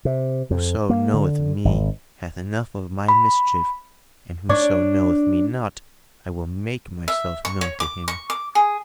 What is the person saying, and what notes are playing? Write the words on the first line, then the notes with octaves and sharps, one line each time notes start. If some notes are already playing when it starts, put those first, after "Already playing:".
Whoso knoweth me hath enough of my mischief and whoso knoweth me not, I will make myself known to him.
C3
F2
A#3
D3
G#1
B5
D4 C#5 D5
E5
C#6
C#5
D6
C#6
D6
G#4